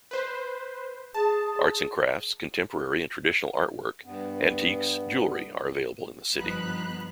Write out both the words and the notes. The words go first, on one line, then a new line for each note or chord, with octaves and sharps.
Art and crafts, contemporary and traditional artwork, antiques, jewellery are available in the city.
B4 C5
G#4 A5
G2 B3
G1 F3 B3 D#4 B5 F#6